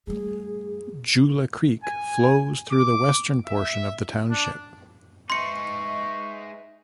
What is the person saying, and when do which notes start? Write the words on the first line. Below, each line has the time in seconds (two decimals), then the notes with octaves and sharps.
Joula Creek flows through the western portion of the township.
0.07 G3 A3 G#4
1.82 G#5
2.71 D6
3.46 E5
4.30 D4
5.30 G#3 D#4 B4 D#5 E5 C6 C#6 C#7